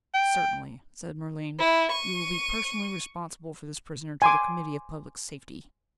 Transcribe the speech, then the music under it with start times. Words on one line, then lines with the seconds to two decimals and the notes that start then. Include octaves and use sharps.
"Certainly," said Merlin, "you will be personally responsible for this prisoner to the Committee of Public Safety."
0.14 G5
1.59 E4
1.92 C#6 D#7
4.22 G#5 C6 D6